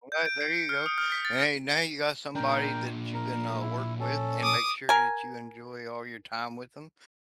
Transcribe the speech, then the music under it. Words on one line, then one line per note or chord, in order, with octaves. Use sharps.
Alright, there you go. And hey, now you got somebody that you can, uh, work with, and make sure that you enjoy all your time with 'em,
G6
D7
C7
C#7
F6
D#6
F6
B6
A6
A#2 D4 A#4 G5
A#4
E4
C#4 A4
D6 D#6
A#4 G#5